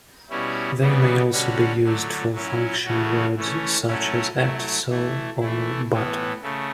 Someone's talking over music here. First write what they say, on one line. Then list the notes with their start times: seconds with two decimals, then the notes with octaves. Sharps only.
They may also be used for function words such as 'at', 'so' or 'but'.
0.30 B2 G3 C#4 E4
0.81 C#3 E3 G3 B3
1.32 D3 G3 C#4 F#4
1.84 D3 F#3 A3
2.34 F#3 C#4 E4
2.85 C#3 E3 A3 C#4 F#4
3.36 E3 A3 C#4
3.88 F#3 A3 C#4 E4
4.38 F#3 A3 E4
4.89 E3 A3 E4
5.40 E3 A3 E4
5.92 A2 E3 B3
6.42 C#3 A3